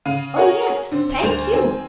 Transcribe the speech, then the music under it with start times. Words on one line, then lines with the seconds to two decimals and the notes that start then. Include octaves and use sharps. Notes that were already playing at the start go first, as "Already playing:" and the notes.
Oh yes--thank you.
0.05 C#3 F5 D#7
0.36 F#4 G#4 A#4 C#5 F#5
0.91 D3 C4
1.23 D2 G3 C5 F7
1.53 D#3 C4 G#5